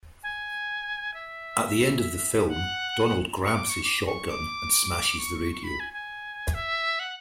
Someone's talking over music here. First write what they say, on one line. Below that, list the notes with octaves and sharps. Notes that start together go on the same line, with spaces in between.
At the end of the film Donald grabs his shotgun and smashes the radio.
G#5
E5
F#5
C#6
D6
C#6
D6
C#6
D6
C#6
B5
G#5
G#5
E5
F#5